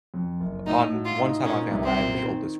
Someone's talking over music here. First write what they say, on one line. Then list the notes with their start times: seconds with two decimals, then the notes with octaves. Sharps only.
on one side of my family, I am the oldest,
0.14 F2
0.40 F#1
0.66 A2 D#4
0.93 F#4
1.05 F4
1.18 D#4
1.44 A#2 C#4
1.71 C2
1.83 C4
1.97 A#2
2.22 D#3